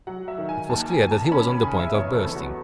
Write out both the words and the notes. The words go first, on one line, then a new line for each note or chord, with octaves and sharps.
It was clear that he was on the point of bursting.
F#3 F#5
E5
D#3
G#5
D#2 A5
G#5
D#2
A5
A5
C#4 B5
B5
C#3 G#5
E5
E2 C#5
A4
E2
F#4